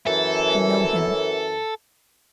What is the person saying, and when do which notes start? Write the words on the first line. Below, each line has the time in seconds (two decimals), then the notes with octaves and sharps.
I know him.
0.07 F#2 E3 A4